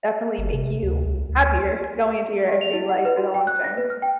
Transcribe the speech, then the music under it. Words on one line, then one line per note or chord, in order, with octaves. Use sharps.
definitely make you happier going into your everyday life for the long term.
G1
C3
D2
C#2
D2
G4
F7
E4
F#5
B4
F#4
G5
F#6
A#6
B4
F6
G5